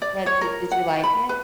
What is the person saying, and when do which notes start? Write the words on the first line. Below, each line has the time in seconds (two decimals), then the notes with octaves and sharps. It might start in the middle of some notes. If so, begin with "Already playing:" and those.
Yeah, did did you like it?
0.02 D5
0.26 C#5
0.41 A#4
0.71 F#5
1.03 B5
1.29 B4